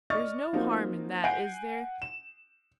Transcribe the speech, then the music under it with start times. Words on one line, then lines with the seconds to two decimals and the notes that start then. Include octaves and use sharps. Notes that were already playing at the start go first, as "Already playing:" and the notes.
There's no harm in that, is there?
0.10 D5 D#5 C#6 F6 A6
0.53 F3 A#3 C4 D#4 F#4 A#4
1.24 F#5 G#5 G6 C7 D7
2.02 E7